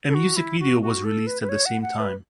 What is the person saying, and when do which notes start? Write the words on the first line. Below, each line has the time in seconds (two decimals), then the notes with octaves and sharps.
A music video was released at the same time.
0.09 A4
0.14 F#4
0.37 E4
0.60 F#4
0.82 F#4
1.04 A4
1.27 B4
1.42 B4
1.49 C#5
1.66 F#5
1.82 F#5
1.99 B4